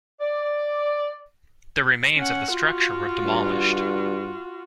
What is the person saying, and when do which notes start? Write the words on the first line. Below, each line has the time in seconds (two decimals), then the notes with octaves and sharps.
The remains of the structure were demolished.
0.20 D5
2.17 C#4 F#5
2.52 F4 F#4
3.24 G2